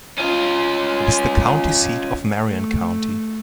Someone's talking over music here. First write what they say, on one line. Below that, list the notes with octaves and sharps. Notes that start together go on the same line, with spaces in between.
It is the county seat of Marion County.
C#4 F4
A3